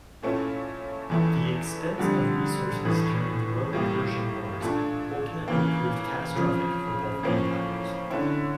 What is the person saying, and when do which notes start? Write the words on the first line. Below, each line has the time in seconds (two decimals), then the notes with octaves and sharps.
The expense of resources during the Roman-Persian Wars ultimately proved catastrophic for both empires.
0.23 A#2 A3 C#4 E4
1.10 E2 E3 A3 E4
1.98 F2 D3 G3
2.85 A2 E3 A3
3.73 A2 G3 A#3 E4
4.61 A#2 A3 D4
5.48 C#3 E3 A#3
6.36 F2 C#3 F3
7.23 A2 F3 A#3 C#4
8.10 D3 A3 C#4 E4